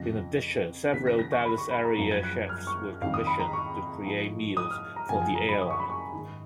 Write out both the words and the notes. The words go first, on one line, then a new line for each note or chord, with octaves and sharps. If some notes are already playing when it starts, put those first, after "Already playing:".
In addition, several Dallas-area chefs were commissioned to create meals for the airline.
Already playing: F2 C#3 F3 A#6
D#2 C#3 F3 B6
A#6
A#6
C#6
B5
C#6
B5
A#5
F#2 F3 A#5
G#6
F#6
F6
C#6
F2 D#3 F5
D#6
B5
A#5
C#6
G#2 F3
D#6
F6
A#5
F#2 C#3 F3 G#5
G#5
A#5
B5
D#6
C#6
B5
C#6
G#2 D#3